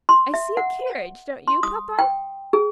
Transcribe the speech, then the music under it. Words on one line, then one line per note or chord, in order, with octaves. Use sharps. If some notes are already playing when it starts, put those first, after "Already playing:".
"I see a carriage; don't you, papa?"
C6
E5
F#5
C6
D#6
G5
G#4